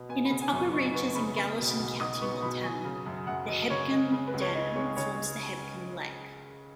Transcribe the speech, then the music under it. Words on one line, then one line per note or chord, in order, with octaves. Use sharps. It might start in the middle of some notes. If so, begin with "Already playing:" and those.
In its upper reaches in Gallatin County, Montana, the Hebgen Dam forms Hebgen Lake.
Already playing: B2
B3 G#5
B5
C#3
G#5
F#2
C#6
D#4 C#6
B3 C#6
C#3 B5
B3 B5
B2
B1
D#4 D#6
B3 C#6
B2 B5
F#3 G#5
C#3
F#2
F#2 F#5
F#3 D#5
C#3 C#5
G#3 D#5
C#3
B4
C#2
C#5
D#4 D#5
G#3 C#5
C#3 C#5